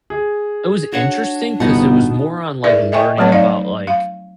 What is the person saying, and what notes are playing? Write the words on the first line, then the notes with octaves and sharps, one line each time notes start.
it was interesting 'cause it was more on, like, learning about, like,
G#4
D4 F#4 C#5 F#5
G1 B2 B3 D#4 F#5
E4 G#4 A#4 B4 D5 E5
D#5 E5 G5 G#5 C#6
F3 F#3 A3 C4 B4 C#5
D#4 D5 F5
F5